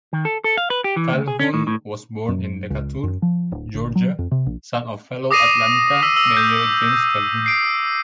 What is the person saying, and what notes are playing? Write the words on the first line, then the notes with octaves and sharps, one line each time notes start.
Calhoun was born in Decatur, Georgia, son of fellow Atlanta mayor James Calhoun.
D#3
A4
A4
F5
B4
G4
E3
D2
G#4
C#4
A2
A2
F#2
C#2
F#2
F3
D1
G1
F#3
F2
C3
A#1
D6 D#6 A#6 C7 D#7
E6 B6
E6
G6
C7 D7